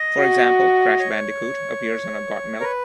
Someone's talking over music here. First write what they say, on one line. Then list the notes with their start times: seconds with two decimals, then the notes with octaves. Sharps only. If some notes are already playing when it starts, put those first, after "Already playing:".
For example, "Crash Bandicoot" appears on a Got Milk?
Already playing: D#5
0.19 F#4
1.00 C#5
2.60 A#4
2.63 B4